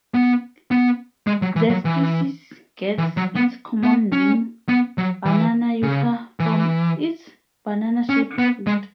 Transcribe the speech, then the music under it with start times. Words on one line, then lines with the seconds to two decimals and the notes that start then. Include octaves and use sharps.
The species gets its common name "banana yucca" from its banana-shaped fruit.
0.14 B3
0.71 B3
1.27 G#3
1.42 F#3
1.56 E3
1.70 F#3
1.85 E3
2.98 E3
3.17 F#3
3.36 B3
3.83 B3
4.12 C#4
4.69 B3
4.98 F#3
5.25 E3
5.83 C#3
6.40 E3
8.09 C#4
8.38 B3
8.67 G#3